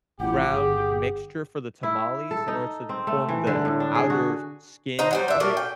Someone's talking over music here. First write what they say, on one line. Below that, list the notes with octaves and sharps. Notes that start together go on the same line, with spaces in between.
ground mixture for the tamales in order to form the outer skin of it.
A1 F3 E4 G4 F#5
G1 G#4
E4
A4
D#4
C4
A3
E3
D3
A2
D4
G#4
F#4
D#4 C5 A#5
F#3 G3 C5
D4 E5
F#3 A3 A#3 D4
G5